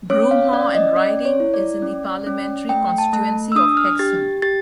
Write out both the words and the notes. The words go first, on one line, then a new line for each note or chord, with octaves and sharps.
Broomhaugh and Riding is in the parliamentary constituency of Hexham.
C#4 C#5
F5
C#4 D5
D#5
C#4 D5
C#5
E4
D5
C#4
C#4
A3 G5
A5
A3
E6
D4 D#6
F6
G4 A6
G4 A6